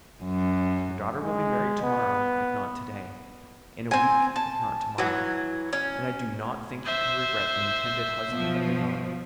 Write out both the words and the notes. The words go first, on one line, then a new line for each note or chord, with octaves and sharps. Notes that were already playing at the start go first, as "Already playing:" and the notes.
"Your daughter will be married to-morrow, if not to-day--in a week, if not to-morrow; and I do not think you can regret the intended husband of your daughter."
F#2
G#3
B3
C4 G#5
A5
E3 F#3
C#4
C5 E5
B2 F3